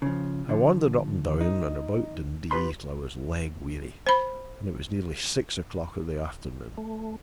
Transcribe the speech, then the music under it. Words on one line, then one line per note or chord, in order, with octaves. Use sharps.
I wandered up and down and about Dundee till I was leg-weary, and it was nearly six o'clock of the afternoon.
C#3 F3
D3 F3
D#4
F4 G4 B4 B5 C6
C5 B5
A3